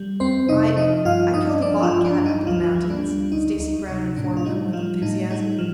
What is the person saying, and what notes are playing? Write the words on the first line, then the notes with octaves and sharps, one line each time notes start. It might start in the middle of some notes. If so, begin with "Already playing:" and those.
"I--I killed a bobcat up in the mountains," Stacy Brown informed them, with enthusiasm.
Already playing: G3
F2 C4 C5
C3 D#4 D#5
F3 D#4 D#5
G2 F4 F5
G2 D#4 D#5
F3 D4 D5
F3 F4
G2
D4
G2
D#4
D2 F3 F4
G3
D4
G3
D2 D#4
D2 D#4
C3 D#4
A2 D4
F4
G3 D#4
F3 G3 F4
A2 D#4
G3 D#4
F3